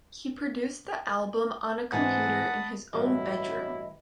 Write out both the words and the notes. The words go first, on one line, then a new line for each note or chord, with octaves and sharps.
He produced the album on a computer in his own bedroom.
G#2 E3 C4 F#5 A5 B5 D#6
A1 G2 F#3 E4 D#5